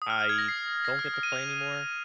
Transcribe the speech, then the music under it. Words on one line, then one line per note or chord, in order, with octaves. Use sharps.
I don't get to play anymore,
D#6
F6
F6
G#6
A#6
C7
A#6
F6
F6
D#7
F7